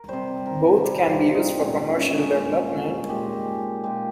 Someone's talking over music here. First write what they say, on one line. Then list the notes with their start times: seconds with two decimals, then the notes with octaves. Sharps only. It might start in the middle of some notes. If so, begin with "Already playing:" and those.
Both can be used for commercial development.
Already playing: A#4
0.08 C3 G3 C5
0.46 A#4
0.84 C3 G3
1.08 F4
1.34 D#4
1.58 A#2 G#3 C#4
1.97 C#4
2.34 A#2 G#3
3.09 A#2 G#3 G4
3.84 A#2 G#3 G4